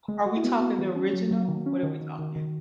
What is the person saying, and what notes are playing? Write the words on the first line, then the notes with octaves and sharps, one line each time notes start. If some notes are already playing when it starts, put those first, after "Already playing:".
are we talking the original? What are we talking?
G#3
G#3 F#4
E4
B3 F#4
B3
E3
C#4
F#3
F#3
D#3
C#4
D#3
D#3
D#3
D#3